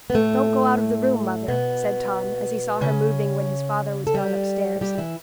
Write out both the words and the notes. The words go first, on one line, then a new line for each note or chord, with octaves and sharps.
"Don't go out of the room, mother," said Tom, as he saw her moving when his father was gone upstairs.
B3
A2 A3
B2 B3
C#3 C#4
A4
G3 G4
G3 G4
E3 E4